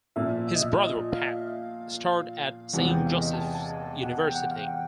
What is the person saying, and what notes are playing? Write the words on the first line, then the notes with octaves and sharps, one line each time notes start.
His brother, Pat, starred at Saint Joseph's University.
A#2 F3 A#3 E5
E5
D#5
E5
D#5
F5
E2 C3 E3 G#3 B3 G#5
G5
F5
D#5
A5
G#5
A5
G#5
F#5
G5
F#5
F5
F#5